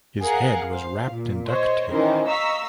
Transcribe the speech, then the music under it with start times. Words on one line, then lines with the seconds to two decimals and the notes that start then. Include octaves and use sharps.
His head was wrapped in duct tape.
0.22 G#4 A#4 F5 F#5
0.71 C5 F5
1.12 A#2
1.46 C5 C#5 D#5
1.91 D#3 E3 C#4 D#4 A#4 C5
2.27 D#5 F5 A#5 C#6 E6 B6